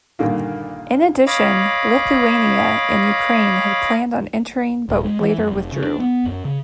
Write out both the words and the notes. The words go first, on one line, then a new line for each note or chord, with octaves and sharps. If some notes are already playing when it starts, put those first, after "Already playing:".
In addition, Lithuania and Ukraine had planned on entering but later withdrew.
G2 A#2 D3 D#3 A#3
C#5 D#5 F5 B5 D6
D#1
G#3
E3
F#2
F1
C#3
D4
B3
F#2
C#3